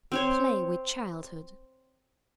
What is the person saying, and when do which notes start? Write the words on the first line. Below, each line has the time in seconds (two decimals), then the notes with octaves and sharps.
We play with childhood.
0.12 C4 C5 C#5